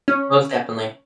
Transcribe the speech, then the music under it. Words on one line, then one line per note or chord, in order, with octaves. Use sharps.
most definitely.
C#4